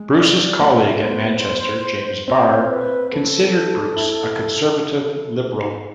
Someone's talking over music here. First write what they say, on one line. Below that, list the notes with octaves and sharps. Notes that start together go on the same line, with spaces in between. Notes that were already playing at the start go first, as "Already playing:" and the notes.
Bruce's colleague at Manchester, James Barr, considered Bruce a conservative liberal.
Already playing: G#3
D5
A3 C5
F5
E5
D5
B3 C5
C4 C5
B4
A4
E4